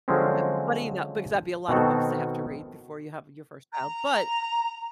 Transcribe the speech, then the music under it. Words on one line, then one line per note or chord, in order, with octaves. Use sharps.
uh, but, you know because that'd be a lot of books to have to read before you have your first child, but,
D3 F3 F#3 G#3 C4 C#4
B2 D#3 C4 F#4 A4
A#5